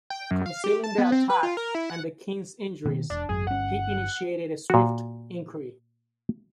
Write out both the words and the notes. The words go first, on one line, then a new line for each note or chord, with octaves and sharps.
Concealing the attack and the king's injuries, he initiated a swift enquiry.
G5
F#2
F5
G4
A5
B3
C4
B4
F4
A#4
E4
F#5
B2 D#3 A#3
E1 D4
G#1 F#2 G#4
G1 C#4 F#5
A#2 F#4